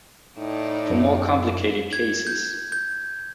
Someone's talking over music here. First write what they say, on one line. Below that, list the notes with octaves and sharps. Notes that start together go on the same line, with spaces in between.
For more complicated cases.
A2 D#4 D5
F#2
G#6
G6
G6